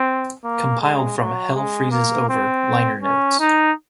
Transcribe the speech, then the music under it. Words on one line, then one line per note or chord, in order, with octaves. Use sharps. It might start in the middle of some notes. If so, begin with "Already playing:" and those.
Compiled from "Hell Freezes Over" liner notes.
Already playing: C4
A#3
G#3
F#3
G#3
A#3
C4
C#4
D#4